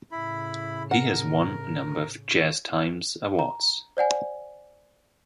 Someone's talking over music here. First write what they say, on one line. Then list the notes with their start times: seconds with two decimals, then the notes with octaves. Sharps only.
He has won a number of JazzTimes Awards.
0.12 A2 C#3 E4 B5
0.91 A#4 F#5
3.39 A#5
3.97 C5 D5 F#5 G#5